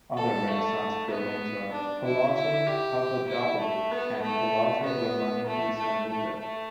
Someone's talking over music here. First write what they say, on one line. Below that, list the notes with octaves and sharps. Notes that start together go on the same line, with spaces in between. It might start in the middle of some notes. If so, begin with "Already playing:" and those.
Other Renaissance buildings are Palazzo Papadopoli and Palazzo Grimani di San Luca.
A4
A3
B3
D4
E4
E4
G4
E4
A3
B3
A3
B3
A3
A3
A3
A3